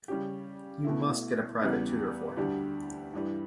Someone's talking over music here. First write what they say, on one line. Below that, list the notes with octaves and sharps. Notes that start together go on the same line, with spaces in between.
You must get a private tutor for him.
C#3 G3 C#4 G4
B2 A3 E4
E2 C#3 G3 B3
D2 D3 G3 D4 G4
G2 E3 G3